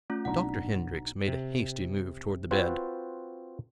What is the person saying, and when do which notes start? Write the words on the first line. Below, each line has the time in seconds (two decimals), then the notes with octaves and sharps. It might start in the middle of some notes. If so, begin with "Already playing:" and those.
Dr. Hendrix made a hasty move toward the bed.
0.10 A3 C#4 F4
0.25 B1 D4 F#5 A#5
1.28 C3
2.51 C4 F4 F#4 B4 C5